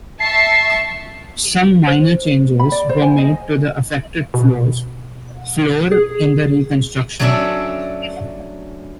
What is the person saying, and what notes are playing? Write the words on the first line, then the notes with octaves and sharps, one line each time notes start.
Some minor changes were made to the affected floors floor in the reconstruction.
E5 A5 C#6 C7
C5
B5
D5
C5
G#5
D#5
B2
G#4
F#3 A3 C#4 D4 D5 E5